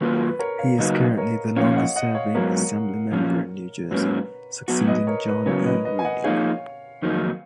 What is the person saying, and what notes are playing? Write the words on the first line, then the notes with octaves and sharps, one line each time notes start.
He is currently the longest-serving Assemblymember in New Jersey, succeeding John E. Rooney.
D#3 F#3 A#3 F4 A#4 B4
B4
A#4 C#5
C#5 F5
C#3 F#3 A#3 D#4 F#4 B4 D#5
A#4 C#5
F3 A#3 C#4 C#5 F5
D#5 F#5
D#5 F#5
C#5 F5
G#2 F#3 B3 A#4 C#5
A#2 F3 A#3 C#4
G#2 F#3 A#3 C#4 B4
F#3 B3 F#4 B4
B4 D#5
A#4 C#5
B4
C#3 F#3 B3 A#4 C#5
B4 D#5
B4 D#5
G#5
D#5 F#5
F3 A#3 D#4 G#4 C#5 F5
F2 D#3 F#3 A#3 D#4